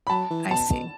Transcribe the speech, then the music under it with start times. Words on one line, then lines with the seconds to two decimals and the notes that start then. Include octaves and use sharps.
I see.
0.07 B5
0.10 F#3 A5
0.30 E3
0.50 B2 A5
0.70 B2